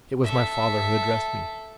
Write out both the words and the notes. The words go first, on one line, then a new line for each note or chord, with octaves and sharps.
It was my father who addressed me.
A4 E5